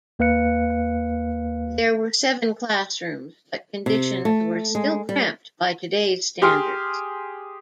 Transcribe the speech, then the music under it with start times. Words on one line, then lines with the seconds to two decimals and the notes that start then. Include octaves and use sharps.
There were seven classrooms, but conditions were still cramped by today's standards.
0.19 D#2 A#3 B4 F5 F#6 C#7
3.86 C3
4.25 A3
4.75 G#3
5.09 G3
6.42 G4 G#4 C6 F6